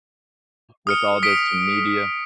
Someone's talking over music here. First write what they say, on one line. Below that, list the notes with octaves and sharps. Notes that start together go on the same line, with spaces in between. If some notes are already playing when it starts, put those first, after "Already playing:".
with all this media.
D#6 F6 C#7
D#6 B6 D7